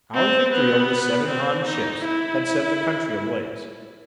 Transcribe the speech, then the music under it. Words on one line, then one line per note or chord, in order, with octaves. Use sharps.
Our victory over the seven Han ships had set the country ablaze.
C4
B3
C4
D#4
E4